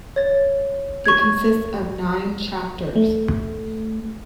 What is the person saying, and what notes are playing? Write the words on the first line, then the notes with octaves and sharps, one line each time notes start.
It consists of nine chapters.
C#5 A6
C#6 G#6
A3